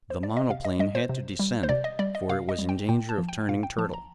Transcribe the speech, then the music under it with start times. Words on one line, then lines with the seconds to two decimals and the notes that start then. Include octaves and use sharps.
The monoplane had to descend, for it was in danger of turning turtle.
0.10 C5
0.23 D5
0.37 D#5
0.50 C3 F5
0.65 D#5
0.79 G3 D#5
0.95 C5
1.09 C3
1.39 G3
1.63 C5
1.69 C3 D5
1.84 D#5
1.99 G3 D5
2.15 D#5
2.29 C3 F5
2.49 D#5
2.59 G3
2.69 G5
2.89 A#2 G5
3.09 A5
3.18 F3
3.29 G5
3.49 A#2 F5
3.63 G5
3.78 F3 A5
3.93 A#5